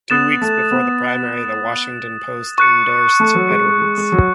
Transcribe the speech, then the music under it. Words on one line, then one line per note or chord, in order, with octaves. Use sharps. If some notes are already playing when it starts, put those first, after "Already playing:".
Two weeks before the primary, the "Washington Post" endorsed Edwards.
B3 D#6 F#6 A6 E7
A3
B3
C#6 F#6 C#7
A3
F#3
G#3
G#3
G#3
G#3
F#3